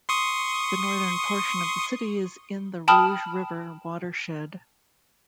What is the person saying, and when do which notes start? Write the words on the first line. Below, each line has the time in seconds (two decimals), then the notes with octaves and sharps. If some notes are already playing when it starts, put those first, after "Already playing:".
The northern portion of the city is in the Rouge River watershed.
0.09 C6 C#6 D#6
2.88 G5 A5 B5 D#6 F6